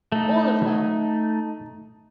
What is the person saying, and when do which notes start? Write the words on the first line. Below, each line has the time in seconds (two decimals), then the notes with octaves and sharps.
All of them!
0.12 A3 D#4